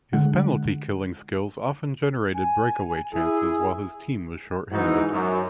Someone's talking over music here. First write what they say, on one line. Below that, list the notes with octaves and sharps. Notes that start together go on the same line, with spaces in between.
His penalty-killing skills often generated breakaway chances while his team was shorthanded.
D3 G#3 F#5
G#5
E4 G#4
G#2 E3 D#4 E4 F#4
F#2